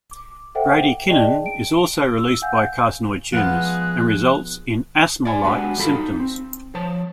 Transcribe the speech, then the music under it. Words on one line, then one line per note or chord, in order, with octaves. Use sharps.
Bradykinin is also released by carcinoid tumors, and results in asthma-like symptoms.
D6
A4 C5 E5 F#5 G5
G#4 D5 D#5 G5 A5
D7
E6
F5 F#5 G#5 G6
F3 G#3 B3 F4 F#6
D5 G#5
G#3 B3 D4 F#4 G4
E2 G2 F4 A4 B5
D#4
C4
F3 C5 C#5 A5